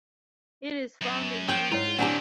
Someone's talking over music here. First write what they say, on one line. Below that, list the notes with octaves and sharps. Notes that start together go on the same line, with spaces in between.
It is found in India.
F#2
F3 C#4 C#5 G5
G#2 E4 F4 C#5
A#2 D#3 C4 D4 G4 F#5 G#5 A5